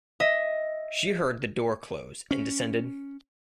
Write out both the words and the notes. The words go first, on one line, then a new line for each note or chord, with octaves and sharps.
She heard the door close, and descended.
D#5 E5
C#4